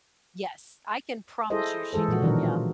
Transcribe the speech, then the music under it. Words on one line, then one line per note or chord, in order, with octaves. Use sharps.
Yes, I can promise you she did, yeah.
E4 G#4 A4 C5 D#5
E3 G#3 G#4 A4 C5
A#2 F3 F#4
B2 D#3 E3 F#3 D4 A#4
F4